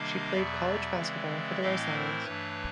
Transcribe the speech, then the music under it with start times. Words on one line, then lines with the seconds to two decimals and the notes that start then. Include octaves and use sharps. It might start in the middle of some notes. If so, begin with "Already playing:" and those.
She played college basketball for the Rice Owls.
Already playing: C3 D#3 G3 A#3 D4 D#5 F5
0.33 E2 B2 F#3 D5 E5
0.97 C#3 E3 G#3 C4
1.61 A2 E3 A3 C4 E4 D#5 F5
1.93 A#4 C5
2.25 G2 E3 A3 D4 B4 C#5